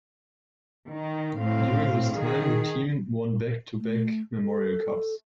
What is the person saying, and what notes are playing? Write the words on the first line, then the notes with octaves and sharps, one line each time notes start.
During this time, the team won back to back Memorial Cups.
D#3
A2 C4 F5
D#3 G#4
A3
A4